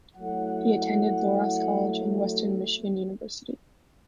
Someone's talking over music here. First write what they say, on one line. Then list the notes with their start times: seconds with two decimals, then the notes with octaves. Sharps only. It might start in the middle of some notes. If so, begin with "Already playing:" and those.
He attended Loras College and Western Michigan University.
0.17 F#3 A3 E4 F#5